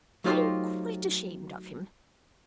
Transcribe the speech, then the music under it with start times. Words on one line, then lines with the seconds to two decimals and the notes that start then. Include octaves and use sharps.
I am quite ashamed of him.
0.24 F#3 A3 D#4 F4 G4 C5